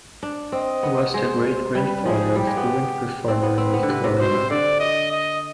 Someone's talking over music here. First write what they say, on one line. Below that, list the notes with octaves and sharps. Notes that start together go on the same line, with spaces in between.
He was the great-grandfather of current performer Nik Wallenda.
D4
C4 D#5
B3
G#3 C5
C5
G3 B4
F3 G#4
G3 G4
G#3
B3
C4
B3
C4 B4
B3
D3
C3
C3
B2 C5
C3
D3 D5
D#5
D#5